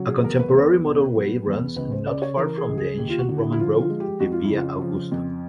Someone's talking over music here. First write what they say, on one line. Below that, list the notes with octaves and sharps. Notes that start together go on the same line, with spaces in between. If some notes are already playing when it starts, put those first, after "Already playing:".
A contemporary motorway runs not far from the ancient Roman road, the "Via Augusta".
Already playing: C#3 F#3
G#4
E2 A#4
B4
C5
E2 B4
B2
F#3
E2
C#2 B4
C5
C#3 D5
C#5
E3 A#4
G#4
C#2
G#4
D#2 G4
F4
F#4
D3
E4
E4
F3 F4
F4
G#3
G4
F2 F#4
F4
E4
C#3
F4
F3
F2